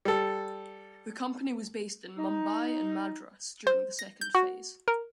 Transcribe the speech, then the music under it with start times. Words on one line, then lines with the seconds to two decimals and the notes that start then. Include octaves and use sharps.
The company was based in Mumbai and Madras during the second phase.
0.05 G3 A4
2.18 D#4
3.67 C5
3.99 A#6
4.21 G6
4.35 F#4
4.88 A#4